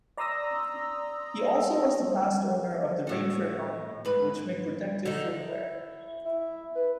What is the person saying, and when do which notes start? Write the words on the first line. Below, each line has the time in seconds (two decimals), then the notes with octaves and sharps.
He also was the past owner of the Rainfair Company, which made protective footwear.
0.17 D5 A#5 C6 D#6 E6 A#6
3.07 A2 F#4
4.05 G#2 B4
5.05 D3 D#4
5.48 E4
6.25 E4
6.75 B4